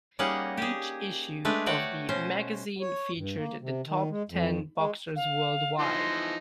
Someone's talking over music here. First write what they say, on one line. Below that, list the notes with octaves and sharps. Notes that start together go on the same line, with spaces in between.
Each issue of the magazine featured the top ten boxers worldwide.
G3 A#3 C#4 D#4 G#4 F#5
G4 G#4
G#3 A3 D4 B4
F#4 C#5 D5 F#5 G5
B2 C#4 C5
C#5
G2
A#3
C3
D#3
G#3
F2
G#3
F5
E3 F3 D#4 C6